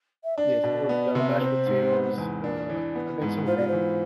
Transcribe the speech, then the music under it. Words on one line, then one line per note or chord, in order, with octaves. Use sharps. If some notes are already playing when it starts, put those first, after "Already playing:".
Yes, it was the mashed potatoes, uh, I think some gravy
E5
D4 D5
B2
B3
C3 E5
D5
C4 C5
G#2
B3
E2
D4
E3
B3
G#2
F4 C5
D5
E3 C5